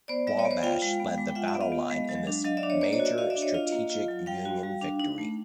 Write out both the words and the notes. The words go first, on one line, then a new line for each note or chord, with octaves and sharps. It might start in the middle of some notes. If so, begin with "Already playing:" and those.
"Wabash" led the battle line in this major strategic Union victory.
B3 C5 D5
G3 D5 E5
C#5 D#5
B3
C5 D5
F4 F5 G5
G#3
B3
G#3
G5
F4 E5 F#5
E5 F#5
B3
D#5 F5
B3
G#3
F#3
D4
F#3 D#5 F5
D5 E5
D4
C#5 D#5
A#3 C5 D5
C#5 D#5
F#4
D5 E5
F#4 D#5 F5
D5 E5
D4
C#5 D#5
F4 D#5 F5
A#3
F4
F#3
G3 F5 G5
F#4
G3
D4
D#4
A3